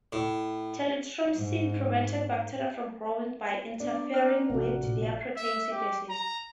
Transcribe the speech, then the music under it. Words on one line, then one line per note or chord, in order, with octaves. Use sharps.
Telithromycin prevents bacteria from growing, by interfering with their protein synthesis.
A2
G#2
B3 D4 D5
A#5 F6 F#6
A1 C3 F3 A3 F#4
A#2
E5
G4
A#5